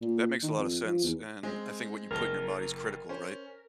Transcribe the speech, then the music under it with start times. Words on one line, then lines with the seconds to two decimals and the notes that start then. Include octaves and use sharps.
That makes a lotta sense and I think what you put in your body is critical, right?
0.02 A#2
0.43 D#3
0.58 F2
0.85 F3
1.04 E2
1.43 G#3 C4
2.11 F#1 A#4 A5 G7
3.09 C#4 C5